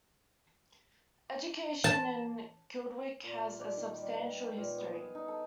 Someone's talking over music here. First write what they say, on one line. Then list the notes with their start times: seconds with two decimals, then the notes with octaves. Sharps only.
Education in Kildwick has a substantial history.
1.84 A5
3.24 A#2
3.38 A#5
3.61 D5
3.77 D#3
3.97 G3
4.14 B4
4.43 B5
4.57 A#2
4.78 B3
4.93 G#4
5.15 D#4
5.28 A4